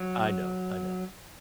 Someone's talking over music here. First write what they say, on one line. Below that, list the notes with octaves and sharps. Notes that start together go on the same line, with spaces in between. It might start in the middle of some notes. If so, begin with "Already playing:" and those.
I know, I know.
Already playing: F#3